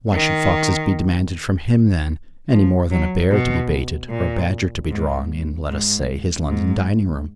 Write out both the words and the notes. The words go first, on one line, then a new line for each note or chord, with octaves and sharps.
Why should foxes be demanded from him then any more than a bear to be baited, or a badger to be drawn, in, let us say, his London dining-room?
D#3
F3
F#3
B2
A#2
G#2
G#2
G#2